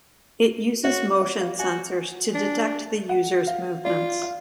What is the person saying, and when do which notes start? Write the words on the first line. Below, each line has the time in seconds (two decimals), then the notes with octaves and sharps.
It uses motion sensors to detect the user's movements.
0.84 F#4 C#5
1.21 C#5
1.41 F5
1.59 F#4 G#5
2.34 D4
3.09 F#5
3.47 F5
3.85 F4 D5
4.23 F5